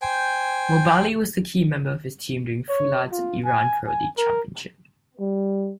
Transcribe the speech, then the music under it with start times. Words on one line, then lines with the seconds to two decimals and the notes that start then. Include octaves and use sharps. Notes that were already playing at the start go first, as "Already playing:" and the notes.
Mobali was the key member of his team during Foolad's Iran Pro League championship.
0.02 C5 G5 G#5
2.69 C#5
3.12 F4
3.45 G#5
3.87 G#5
4.18 A#4
5.20 G3